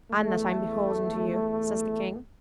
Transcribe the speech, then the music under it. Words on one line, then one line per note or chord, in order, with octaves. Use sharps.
"And that I'm beholden to you," says the king.
E2 A3